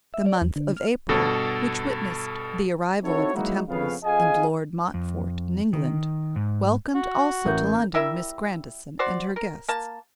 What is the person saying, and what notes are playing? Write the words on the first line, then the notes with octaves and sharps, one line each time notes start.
The month of April, which witnessed the arrival of the Temples and Lord Montfort in England, welcomed also to London Miss Grandison and her guests.
E5
D5
E2
D3
F6
G2 B2 A4
C4 D#4 E4 F#4 A4 C#5
F#3 G#3 A#3 D#4 E4 F#4
F2 C#3 B3 F5
F2 G#4 D#5 F5 G#5
F2
D#3
G#2
F#4
A1 A#4 G6
G3 E4 A#4 E5
F#4 C5 D5
A#4
A#3 A5